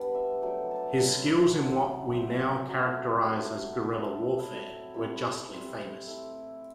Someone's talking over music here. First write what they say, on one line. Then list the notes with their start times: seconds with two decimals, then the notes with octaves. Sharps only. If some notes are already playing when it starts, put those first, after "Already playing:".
His skills in what we now characterize as guerrilla warfare were justly famous.
Already playing: G3 B3 D4 B4
0.15 E5
0.42 F#3 A3 D4 G5
0.71 A5
0.99 F#3 A3 D4 B5
1.13 C6
1.27 B5
1.41 A5
1.55 F#3 C4 E4 G5
2.12 F#3 C4 E4 G5
2.21 F#5
2.30 E5
2.38 F#5
2.68 F#3 A3 E4 E5
3.25 F#3 A3 E4 A5
3.81 F#3 A3 C4 E4
4.39 F#3 A3 C4 E4
4.94 G3 C4 E4 B5
5.51 G3 C4 E4 C6
6.07 A3 E4